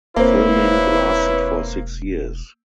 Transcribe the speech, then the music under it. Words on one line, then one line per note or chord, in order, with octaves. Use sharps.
Filming lasted for six years.
E1 A#3 C4 E4 B4 C#5